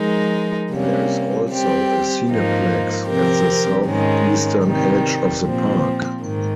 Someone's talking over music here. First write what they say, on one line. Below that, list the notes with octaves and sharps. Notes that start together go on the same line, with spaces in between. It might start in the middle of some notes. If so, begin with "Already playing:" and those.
There is also a cineplex at the southeastern edge of the park.
Already playing: F3 G#3 D#4 A#4
C3 G3 A#3 C#4
G3 C4 G4
G#2 F3 A#3 D#4
C3 F3 C4 G4 A#4
G#2 D#3 G#3 C#4
C3 D#3 G3
A#2 F3 C4
G#2 D#3